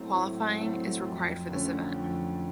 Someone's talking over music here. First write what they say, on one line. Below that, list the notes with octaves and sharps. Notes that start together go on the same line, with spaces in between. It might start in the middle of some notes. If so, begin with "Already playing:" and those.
Qualifying is required for this event.
Already playing: A2 F#3 A3 C4 E4
A2
F#3 A3 C4 E4
F2
D3 F3 A3 C#4
F2